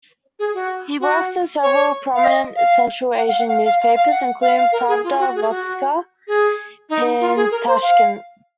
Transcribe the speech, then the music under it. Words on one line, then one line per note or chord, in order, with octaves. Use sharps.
He worked in several prominent Central Asian newspapers, including "Pravda Vostoka" in Tashkent.
G#4
F#4
F#4
C#5
F5
D#5
F5
F#5
F5
F#5
F5
F5
F5
F5
F#5
F5
F5
A#4
G#4
F4
F#4
G#4
F#4
G#4
D#4
F4
G#4
A#4
C5
F5